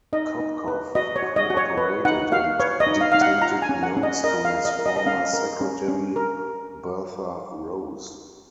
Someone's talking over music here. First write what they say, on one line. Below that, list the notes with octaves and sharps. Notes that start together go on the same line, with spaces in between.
Kopkow cooperated and dictated notes to his former secretary Bertha Rose.
D#4 D#5
D#4
B4
F#4 D#5
C#5
F#4
D#5
F#4
C#5
B4
D#4 F#5
F#4 F5
B4 C#5
D#5
D#4
F5
D#4 F5
F#5
F4 A#5
G#5
C#4
F#5
C#4
D#5
A#4 D#5
F5
A#4
D#5
A#4
D#5
D#5
C#4 F5
A#4
C#4
C#4
A#4